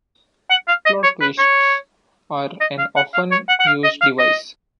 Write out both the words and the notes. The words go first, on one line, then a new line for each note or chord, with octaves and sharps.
Plot twists are an often used device.
F#5
F5
D#5
C#5
B4
C#5
D#5
F5
F#5
F5
C#5
F#5
F#5
F5
D#5
F5
D#5